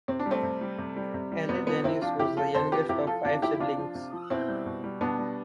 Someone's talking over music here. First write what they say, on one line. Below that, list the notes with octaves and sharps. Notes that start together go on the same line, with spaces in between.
Elly Jannes was the youngest of five siblings.
C3 C4
D4
G3
A3 C4
C3
G3
C3
G3
C3
G3
C3 B3
F3 B3
C3 C4 E4
F3 D4 F4
C3 E4 G4
F3 F4 A4
C3 A4 C5
F3 G4 B4
C3 E4 G4
F3 F4 A4
C3 D4 F4
F3 E4 G4
E4
C3 D4 F4
F3
C3
F3
B2 C4 E4
G3
B2
G3
B2 B3 D4
G3